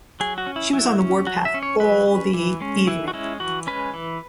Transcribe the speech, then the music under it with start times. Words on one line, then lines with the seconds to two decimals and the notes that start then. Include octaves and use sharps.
She was on the warpath all the evening.
0.20 F#3 G#4
0.38 F#4
0.47 C#4
0.56 E4
0.73 F#3 E4
1.00 C#4
1.27 F#3 F#4
1.45 E5
1.54 C#4
1.63 C#5
1.80 F#3 B4
2.07 C#4
2.34 E3
2.61 G#3 C#4
2.87 E3 E4
3.08 F#4
3.14 G#3 C#4 E4
3.40 E3 F#4
3.67 G#3 C#4 B4
3.94 E3